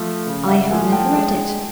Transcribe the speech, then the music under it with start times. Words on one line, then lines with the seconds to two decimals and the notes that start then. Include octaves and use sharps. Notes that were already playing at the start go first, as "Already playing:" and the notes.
"I have never read it."
Already playing: F3 A3
0.27 C#3
0.48 E5 F#5
0.70 F3 A3 F#5 G#5
0.92 G5 A5
1.15 G#3